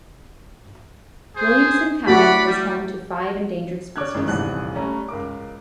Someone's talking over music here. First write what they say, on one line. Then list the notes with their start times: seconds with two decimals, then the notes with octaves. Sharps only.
Williamson county is home to five endangered species.
1.35 G#4 C5
2.07 A3 F#4 G4 D5 F#5 B5
2.47 G3
3.96 C#5 D5 D6 F6 F#6 G#6
4.14 A1 G#2 D#3
4.28 D#1 A#1 E2 G2 C3 F#6
4.75 G3 A3 C#4 A#5
5.09 C#2 A#4 D6